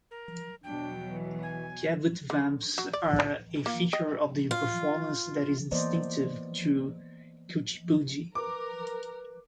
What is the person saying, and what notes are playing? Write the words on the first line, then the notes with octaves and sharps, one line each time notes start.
Kavutvams are a feature of the performance that is distinctive to Kuchipudi.
A#4
E2 B2 F#3 D4 G5
E3
G#5
D3
F#3
D5
A#3 F4
D#5 G5
F4
E3 A#3 B3 C5 D5 D#5
A#4 B4 D6